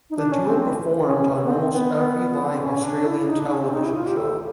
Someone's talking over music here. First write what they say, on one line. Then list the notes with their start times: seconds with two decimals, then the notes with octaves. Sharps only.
The duo performed on almost every live Australian television show.
0.10 D#4
0.17 D4
0.32 C#4
0.46 C4
1.05 C#4
1.44 B3
1.51 C4
1.73 B3
1.95 B3
2.39 C4
2.61 C#4
2.83 D4
3.06 E4
3.28 D#4
3.39 D4
3.51 C#4
3.62 C4
3.73 D#4
3.84 E4
3.95 F4
4.06 G4
4.17 A4